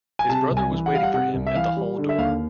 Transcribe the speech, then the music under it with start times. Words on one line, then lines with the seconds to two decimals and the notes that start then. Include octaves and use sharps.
His brother was waiting for him at the hall door.
0.19 G#5
0.29 C3 A5
0.51 C2
0.57 G#5
0.72 E3
0.86 F#5
0.93 G3 F5
1.03 F#5
1.13 C3 F#5
1.34 C2
1.46 E5
1.55 E3 F5
1.77 G3
1.98 D3
2.09 E5
2.18 D#2 F5